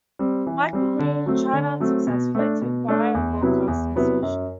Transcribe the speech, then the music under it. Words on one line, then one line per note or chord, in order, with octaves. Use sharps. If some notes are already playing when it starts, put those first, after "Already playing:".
Michael Green tried unsuccessfully to acquire a broadcasting station.
G3 C4
E3
G3 C4
D3
F#3 A3 C4
D3
F#3 A3 C4
B2
A3 D4
B2
A3 D4
E2
C3 F#3 B3 E4
E2
C3 F#3 B3 E4
F#2